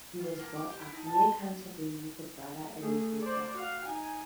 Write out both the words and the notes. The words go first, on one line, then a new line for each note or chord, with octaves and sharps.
He was brought up near Canterbury with a brother and a sister.
F4
A#3
D6
G4
E4
D#4
A5
C6
A3 G#4
C5 D5
F#4 F5
D#4 G#5